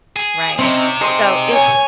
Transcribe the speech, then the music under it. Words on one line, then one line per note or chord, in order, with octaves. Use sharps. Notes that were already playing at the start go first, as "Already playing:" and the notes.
Right. So it's
G#4
C3 C4 C#4 D#4
D#4 G#4 C5
C#5 G#5